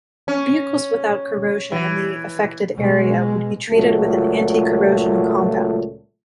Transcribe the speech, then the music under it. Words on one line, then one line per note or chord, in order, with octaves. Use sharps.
Vehicles without corrosion in the affected area would be treated with an anti-corrosion compound.
C#4
E3
B2 G#3
C#2 A#2 F#3 A3